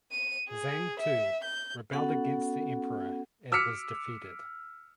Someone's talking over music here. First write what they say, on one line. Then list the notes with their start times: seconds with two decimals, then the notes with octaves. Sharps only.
Zang Tu rebelled against the Emperor and was defeated.
0.12 D#7
0.49 G#4
1.00 E5
1.45 G6
1.92 B3 C#4 F#4 A4 F#5
3.52 D6 E6 F6 B6 C#7